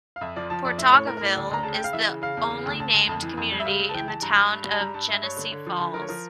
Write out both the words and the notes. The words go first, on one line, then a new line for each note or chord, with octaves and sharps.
Portageville is the only named community in the town of Genesee Falls.
F5
F2 E5
F3 D5
F3 A5
F2 D5
A2 E5
A2 C#5
A2 A#4
A#4
A2 D5
D2
D2 A#5
C#3 A5
G5
C#3 F5
E3 E5
C#3
C#3 F5
E2
C#3
D2
D2 A5
D2
F2 A5
E3
F2
G3
E5
C#2 F5
C#2
A5
E3 G5
E3 A5
G2 A#5
G2
G2
G3
A5
G3 A#5
G2 A5
G2 E5
G2 C#5
D3
D3
F3
D3
F3 A#4
C#5
F3 A#4